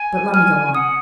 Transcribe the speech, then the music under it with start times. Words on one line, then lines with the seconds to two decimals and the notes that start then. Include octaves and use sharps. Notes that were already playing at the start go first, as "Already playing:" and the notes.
But let me go on.
Already playing: G#5
0.33 G#5 F6
0.74 F#5 D#6